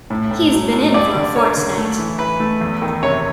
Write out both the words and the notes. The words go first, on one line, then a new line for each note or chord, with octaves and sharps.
He's been in for a fortnight.
A2
A2
F#3
A2
G2 D5
D3
A#3 C#5
D3
A3
E3
E3 B4
A3
E2
D#3
C3 C#5